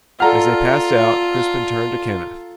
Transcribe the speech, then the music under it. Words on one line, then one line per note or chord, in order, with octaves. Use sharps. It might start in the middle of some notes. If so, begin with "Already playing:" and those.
As they passed out, Crispin turned to Kenneth.
F4 A4 D5 F#5 A#5 F6